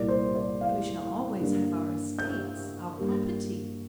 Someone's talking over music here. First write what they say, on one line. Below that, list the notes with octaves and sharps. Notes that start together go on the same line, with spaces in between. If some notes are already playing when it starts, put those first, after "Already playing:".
"But we shall always have our estates, our property."
Already playing: C2 A#2 A#3 D5
C5
D5
F5
G2 D3 A#3
G6
G2 G3 A#3